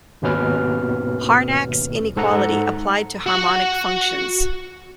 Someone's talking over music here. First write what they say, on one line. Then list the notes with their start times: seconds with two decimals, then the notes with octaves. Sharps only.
Harnack's inequality applied to harmonic functions.
0.22 G#1 D#2 B2 C#4 B4 F6
2.16 G#2 A4 F#5 A#5 C#7
3.26 F#4 F#5